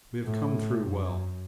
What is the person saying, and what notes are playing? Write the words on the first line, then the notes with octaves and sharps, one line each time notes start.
We have come through well.
A2
F#2